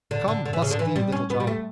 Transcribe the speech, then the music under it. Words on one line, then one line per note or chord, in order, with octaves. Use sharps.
Come, busk thee, Little John!
D3
D3
D3
E3
C#3
D3
E3
G3
C#4
B3
G3
A3